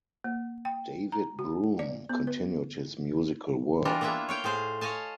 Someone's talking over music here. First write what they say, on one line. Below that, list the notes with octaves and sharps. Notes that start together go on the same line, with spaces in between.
David Broom continued his musical work.
A#3
G5
A#5
F#4
D5
B3
B4
E3 G3 D4 F4 A#4
A#3 B3 E4 F4 E5
C#5 F5 G5
A2 G#4 C5 F5
C#5 D#5 F5 G#5 A5